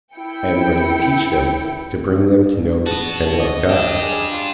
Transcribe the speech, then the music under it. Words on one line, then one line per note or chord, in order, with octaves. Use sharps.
I am going to teach them, to bring them to know and love God.
E4 G5 C#7
B3 F#4 A5
D#5
D4 G4
G#4
F4